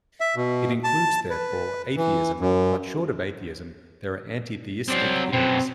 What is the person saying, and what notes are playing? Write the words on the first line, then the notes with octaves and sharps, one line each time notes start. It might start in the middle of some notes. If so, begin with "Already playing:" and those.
It includes, therefore, atheism, but short of atheism there are anti-theistic theories.
E5
B2
A5
B4
E3
F#2
F#3 C4 D5
F#2 B2 C4